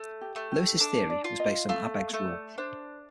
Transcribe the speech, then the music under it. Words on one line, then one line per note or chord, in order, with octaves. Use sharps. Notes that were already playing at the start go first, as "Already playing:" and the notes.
Lewis's theory was based on Abegg's rule.
Already playing: A3
G4
A3
G4
D4 A4
D5
F4
D#5
A3 F5
F5
A3
D5
D4 C5